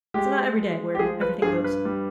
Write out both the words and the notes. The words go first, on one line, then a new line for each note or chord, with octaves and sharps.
It's not every day where everything goes
G#3 G4
G#3
G4
F3 G#4
B4
G2 G#4
B4
G3